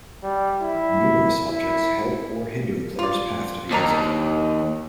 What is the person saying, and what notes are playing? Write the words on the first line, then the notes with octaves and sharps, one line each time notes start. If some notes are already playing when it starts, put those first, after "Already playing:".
Numerous objects help or hinder the player's path to the exit.
G3
E4
E4
F4 D5
D#2 C4 D4 A#5